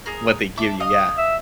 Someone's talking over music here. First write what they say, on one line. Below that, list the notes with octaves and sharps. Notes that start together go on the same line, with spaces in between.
what they give you, yeah.
G#4 A#4
E5 A5 D6
D#5 F5 D#6
E5